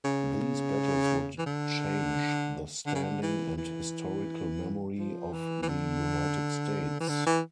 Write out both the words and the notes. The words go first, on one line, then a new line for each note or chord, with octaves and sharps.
These battles would change the standing and historical memory of the United States.
C#3
E3
D3
D3
C#3
D3
E3
E3
F3
E3
E3
D3
E3
D3
E3